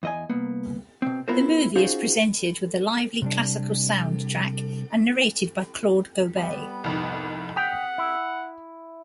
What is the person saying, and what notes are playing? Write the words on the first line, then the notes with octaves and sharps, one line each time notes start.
The movie is presented with a lively classical soundtrack and narrated by Claude Gobet.
E2 D#5 G#5
C2 A#3 B3
B2 C4
B3 E4 F4 A#4 C5
C#4 D#4 F4 F#4 G#4 C5
C3 G3 D4
G3 B3
C2 F2 G#2
F#5 G5 D#6 B6 F7
E4